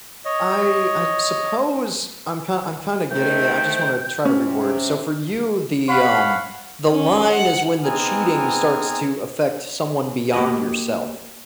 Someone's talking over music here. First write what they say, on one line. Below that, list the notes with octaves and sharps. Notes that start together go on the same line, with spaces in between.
I I suppose I'm kind I'm kinda getting it, I just wanna try to reword. So for you, the, um the line is when the cheating starts to affect someone beyond yourself.
C#5 D#5
D#3 A3 C4 G5
C3 C#4
C#5 F5 F#5 B5
C#4
F#5
B3 C4 D#4 G#4 G#5 F6
A#3 F#4 G4 D#5